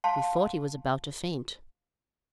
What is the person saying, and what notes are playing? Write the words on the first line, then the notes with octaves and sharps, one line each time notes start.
We thought he was about to faint.
F5 A5 C6